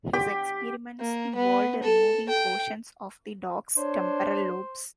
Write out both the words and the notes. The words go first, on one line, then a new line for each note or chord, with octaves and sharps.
His experiments involved removing portions of the dogs' temporal lobes.
G4
A#3
B3
A4
G5
D4 C5 C#5